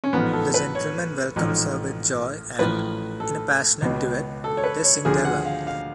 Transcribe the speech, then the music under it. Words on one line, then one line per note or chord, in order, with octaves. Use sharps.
The gentleman welcomes her with joy and, in a passionate duet, they sing their love.
C#4
A1 G#2 F3 B3
A4
B4
C#5
A1 G#2 F3
A1 A2 F3 B4
A4
C#2 B2
A4
C#5
B4
C#5
D2 D3 F3 G#4
F#5
F5
F5